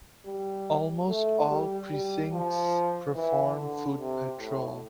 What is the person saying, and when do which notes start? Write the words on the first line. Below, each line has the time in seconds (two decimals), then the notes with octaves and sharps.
Almost all precincts perform foot patrol.
0.26 G3
1.09 A3
1.50 G3
1.92 G3
2.33 F3
3.15 E3
3.57 D3
3.98 C3
4.39 A2